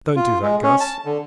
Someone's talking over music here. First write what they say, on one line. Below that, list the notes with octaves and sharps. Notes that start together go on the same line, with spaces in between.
"Don't do that, Guss?"
F4
G#3
C#4
A5
D3